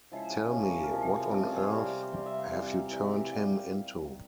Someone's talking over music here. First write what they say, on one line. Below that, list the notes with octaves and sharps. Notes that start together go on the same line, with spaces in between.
Tell me, what on earth have you turned him into?
C#3 F3 G#3 E4
C#3 F3 G#3 C#4
A#3
A#4
C3 F3 G#3 E4
C3 F3 G#3 C#4
F4
G#4
C5
C3 G3 F5
C3 G3 G5
E5
F5
C3 E3 G3
C3 E3 G3 E5
A#2 G3 F5
G5